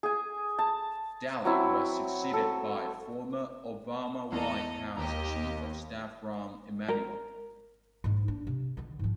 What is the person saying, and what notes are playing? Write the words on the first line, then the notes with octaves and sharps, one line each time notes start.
Daley was succeeded by former Obama White House Chief of Staff Rahm Emanuel.
G#4 G#5
A5
F#3 C4 E4
A4
E2 A4 D#5 A#5
D#2 G4 D#5 A#5
A#4 A#5
G#2 D#4
D4
C3
D3 D#3
G#2 F3